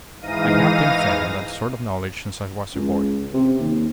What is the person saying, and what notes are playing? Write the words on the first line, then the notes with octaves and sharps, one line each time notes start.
I have been fed on that sort of knowledge since I was a boy.
G#2 E3 D#4 F5 A#6 D#7
C#2
C3
D#2